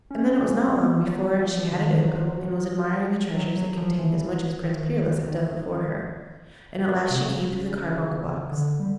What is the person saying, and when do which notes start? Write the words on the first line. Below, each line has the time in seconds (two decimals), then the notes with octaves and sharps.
And then it was not long before she had it open, and was admiring the treasures it contained as much as Prince Peerless had done before her, and at last she came to the carbuncle box.
0.11 C#4
0.67 C4
0.75 B3
0.98 F3
1.07 F#3
1.39 F3
1.72 D#3
2.05 F#3
2.14 F3
2.24 F#3
3.34 F#3
3.56 F#3
3.77 F3
3.98 E3
4.63 D#3
5.28 D#3
7.10 C3
7.22 C#3
8.52 D3
8.80 G3